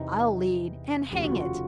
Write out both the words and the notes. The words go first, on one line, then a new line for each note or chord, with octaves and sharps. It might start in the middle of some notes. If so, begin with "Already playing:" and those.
I'll lead, and, hang it!
Already playing: E2 C3 E3 D#4
F1 D#2 C#3 F3 A3 G4
F#4
F4
F#4